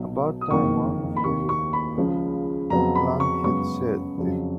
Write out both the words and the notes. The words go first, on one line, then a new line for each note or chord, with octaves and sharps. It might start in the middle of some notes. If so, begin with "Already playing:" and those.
About time one of you lunkheads said it.
Already playing: B1 B2 F#3
D#6
F#1 F2 D#3 A#3 C#6
B5
D#2 D#3 A#3 C#6
C#6
B5
C#2 C#3 F3 G#3
F2 C#3 F#3 B3 A#5
B5
C#6
F#2 C#3 G#3 B3 C#6
F2 C#3 F#3